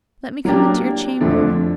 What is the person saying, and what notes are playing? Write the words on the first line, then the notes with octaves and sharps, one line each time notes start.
Let me come into your chamber.
F#3 A#3 D4 G4
F2 D3 F3 A3 D4